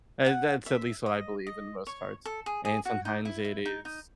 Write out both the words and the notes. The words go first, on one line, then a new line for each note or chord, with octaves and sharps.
Uh, that's at least what I believe in the most cards. And sometimes it is
F#5
E5
D#5
D#5
C#5
A4
G#4
G#4
F#4
D#4
E4
E4
D#4
D#4